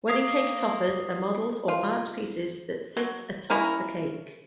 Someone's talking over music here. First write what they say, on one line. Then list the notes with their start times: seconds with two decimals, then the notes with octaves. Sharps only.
Wedding cake toppers are models or art pieces that sit atop the cake.
0.08 A#3 D#6 C7 F7
1.68 F4
2.97 F#3
3.50 A#3 C#4 E4 A#4